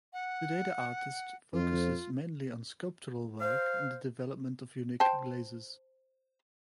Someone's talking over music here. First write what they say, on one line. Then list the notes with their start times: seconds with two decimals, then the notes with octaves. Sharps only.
Today the artist focusses mainly on sculptural work and the development of unique glazes.
0.13 F#5
1.53 F2 F4
3.40 C5 F5
5.00 C5 G5 A5